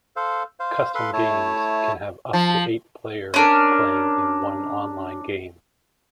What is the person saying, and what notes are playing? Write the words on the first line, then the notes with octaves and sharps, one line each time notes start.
Custom games can have up to eight players playing in one online game.
A4 C5 F5
C5 F5
A4 B4 F5 B5 C6
A3 E4 C#5 A5
F3
C#4 D4 A#4